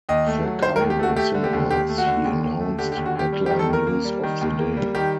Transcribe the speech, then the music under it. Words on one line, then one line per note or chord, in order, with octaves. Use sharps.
For Cairo cinemas, he announced "Headline News of the Day".
D#2 D#5
A3
F#3
D#3 C5
A#4
D#2
G4
A3 F#4
A3 G4
D3
G4
D#2
D#2 G4
A3
F#4
D3
D#2
D#2
A3
D3 G4
G4
D#2
F#4
D#2 G4
G3
G4
D#3
A4
D#2 A#4
A#3
G3
D#3
D#2
A#3
G3
D#3 G4